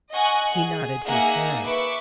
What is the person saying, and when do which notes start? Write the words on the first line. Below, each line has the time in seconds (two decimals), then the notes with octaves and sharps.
He nodded his head.
0.11 D#5 F#5 G#5 C#6 F#6
0.58 G#4
1.05 A#3 D#4 G#4 E5 F#5 G#5
1.63 B4 E5 C#6 D6